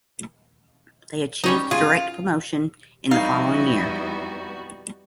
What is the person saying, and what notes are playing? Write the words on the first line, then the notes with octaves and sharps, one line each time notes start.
They achieve the direct promotion in the following year.
G3 C#4 D#4
F4 G#4
F2 G3 B3 D#4 E4 F#4 D#5 F5